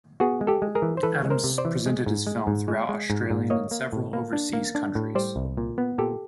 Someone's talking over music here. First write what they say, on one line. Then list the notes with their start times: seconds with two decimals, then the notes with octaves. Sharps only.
Adams presented his film throughout Australian and several overseas countries.
0.20 B3 F#4 G#4
0.41 G#3
0.47 G4 A4
0.62 G#3
0.75 G#4 A#4
0.82 E3
0.97 C5
1.03 E3 A4 B4
1.24 G#3
1.30 A#4 C5
1.44 C3
1.58 C5 D5
1.65 E3
1.86 G#3
2.06 G#2
2.27 G#3
2.47 G#2
2.68 G#3
2.89 G#3
3.10 G#2
3.30 G#2
3.50 A#3 C#5 D#5
3.71 A#3
3.93 A2
4.13 A#3
4.33 D4
4.53 A#3
4.75 D4
4.95 A2
5.15 G3 C5 D5
5.36 C2
5.57 A#2
5.78 B3
5.98 A#2 G4 A4